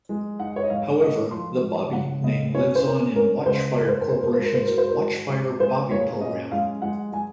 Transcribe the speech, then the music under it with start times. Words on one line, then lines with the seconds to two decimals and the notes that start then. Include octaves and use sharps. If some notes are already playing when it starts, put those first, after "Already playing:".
However, the Bobby name lives on in Watchfire Corporation's Watchfire Bobby program.
0.09 G#3
0.40 D#4 F#5
0.56 C#5
0.63 D#5
0.70 G#2 F5
1.02 D#4 D#5
1.31 F3 C6
1.62 G#2
1.93 C#3 F#5
2.23 C#2 D#5
2.55 C#4 C#5
2.75 C5
2.84 C#4 A#4
3.16 C#4 A#4
3.46 C#2 C5
3.76 G#2 A#4
3.88 C5
3.99 A#4
4.07 A#3 C5
4.21 A#4
4.33 G#2 C5
4.44 A#4
4.54 C5
4.65 F#3 A#4
4.78 C5
4.88 A#4
4.98 G#2
5.29 G#2
5.60 G#3 C5
5.91 A#2 C#5
6.21 C#4 D#5
6.52 G#3 F5
6.82 G#3 F#5
7.12 G#3 G#5